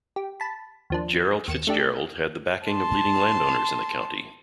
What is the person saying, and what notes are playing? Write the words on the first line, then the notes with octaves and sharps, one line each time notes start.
Gerald Fitzgerald had the backing of leading landowners in the county.
G4
A5 B5
D#2 F3 D4
D#2 C#7 E7
A3 D4 G4
A5 C6